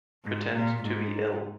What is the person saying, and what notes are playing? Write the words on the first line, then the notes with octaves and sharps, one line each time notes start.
Pretend to be ill.
G#2
A#2
G#2